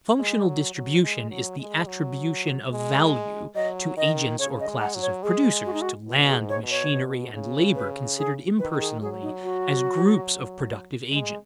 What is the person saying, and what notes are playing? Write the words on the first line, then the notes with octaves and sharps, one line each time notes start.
Functional distribution is the attribution of value to agents or classes of producers, to land, machinery, and labor considered impersonally as groups of productive agents.
G#3
F#3
F#3
G#3
F#3
G#3
F#3
G#3
F#3 D#5
D#3 D#5
C#3 C#5
D#5
G#3
F#5
F#3
C#5
G#3 G#4
F#4
D#4
F#4
B2
G#4
G#2
C#5
B2
C#5
B2
C#3
B4
G#4
D#3 B4
G#4
F#3 G#4
D#4
F#4
G#3